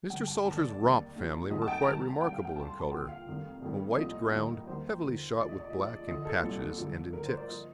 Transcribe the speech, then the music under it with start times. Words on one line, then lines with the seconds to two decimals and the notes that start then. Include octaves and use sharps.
Mr. Salter's Romp family were quite remarkable in colour--a white ground, heavily shot with black in patches and in ticks.
0.10 G1 G2 D3 G5
0.28 A5
0.45 F1 D#2 D3 A5
0.57 D5
0.69 D5
0.80 D#2 D#3 G3
1.16 A#1 A#2 F3
1.50 F1 D#2 D#3 G3 D#5
1.62 A5
1.68 G5
1.82 A#5
1.86 D#2 D#3 G3 A5
1.98 A#5
2.09 A5
2.21 D2 C3 G3 G5
2.33 F5
2.45 G5
2.56 A#1 A2 G3 A5
2.68 C6
2.80 A5
2.91 D#2 D3 F3 G5
3.09 F5
3.26 F1 F2 D#3 G3
3.62 F1 F2 D#3 G3
3.97 C2 A#2 F3 D#5
4.32 D#2 D#3 G3
4.67 D#2 D#3 G3 C5
5.03 D#2 D3 F3
5.37 A#1 A2 F3 D5
5.49 D#5
5.60 D5
5.70 A#1 A2 F3 D#5
5.82 D5
6.08 D2 D3 F3 D#5
6.25 A4
6.43 C2 A#2 G3
6.78 A1 G2 D3 F3
7.13 D2 D3 F3 A#4
7.26 C5
7.37 D5
7.48 A#2 F3 D#5